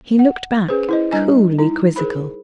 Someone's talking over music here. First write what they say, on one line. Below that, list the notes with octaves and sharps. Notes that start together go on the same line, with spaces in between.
He looked back, coolly quizzical.
F#5
C#4 G#4 B4 C5
E4 C5 D#5
G3 D4 D#5 G#5
D#4 E4
G#4 A#4 C5 B5